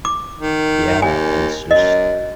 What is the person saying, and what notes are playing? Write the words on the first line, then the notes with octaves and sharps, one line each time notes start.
Yeah, and it's just
D6
D#3
D#2 G#5
F#2 D#5